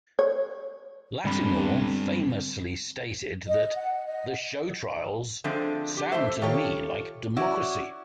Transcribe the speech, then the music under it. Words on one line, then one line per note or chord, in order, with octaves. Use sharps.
Lattimore famously stated that the show trials "sound to me like democracy".
C#5
G2 D3 G#3 C4 B5
D#5
F#5
D#5
D3 F3 G#3 A3 C4
G4
F2 F3 A3 C5 E5
D#3 F4 G4 A4 C#5
C#4 E4 F#4 D5